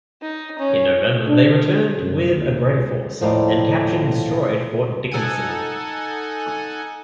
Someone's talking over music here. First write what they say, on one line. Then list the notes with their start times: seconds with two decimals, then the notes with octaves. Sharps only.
In November, they returned with a greater force and captured and destroyed Fort Dickinson.
0.22 D#4
0.59 C#4
1.27 D4
1.59 D3
1.99 F#2
2.32 D#2
2.76 C#2
3.21 D#2 A2 F3 A#4 D5 D#5
5.11 D#4 A4 F#5 G#5